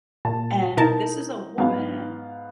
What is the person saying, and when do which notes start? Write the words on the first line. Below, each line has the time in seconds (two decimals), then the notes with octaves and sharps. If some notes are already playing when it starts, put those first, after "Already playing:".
and this is a woman
0.25 A#2 A5
0.77 B2 D#4 E4 A#4 A5
1.58 G#2 F#3 B3 F5